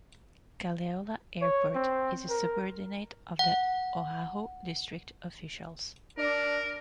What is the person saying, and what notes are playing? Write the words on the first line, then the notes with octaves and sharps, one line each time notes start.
Kalaeloa Airport is a subordinate of the Oahu District officials.
C#5
C4
A#4
F#5
D4 A#4 D5